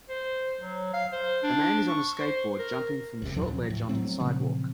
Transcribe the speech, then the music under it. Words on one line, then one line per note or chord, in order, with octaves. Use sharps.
A man is on a skateboard jumping from a short ledge onto the sidewalk.
C5
F#3
F5
C5
D4
C#6
C5
A#4
G1 C#2 C3
D#2 A#2 F3 F#3
A2
F#3 G#3 A3 C4
A#2 C#3 F3 C4